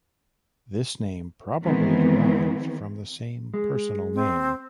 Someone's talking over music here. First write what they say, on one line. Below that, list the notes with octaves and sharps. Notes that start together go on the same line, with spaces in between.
This name probably derived from the same personal name.
D#3 E3 G#3 B3 C4
G#3
C4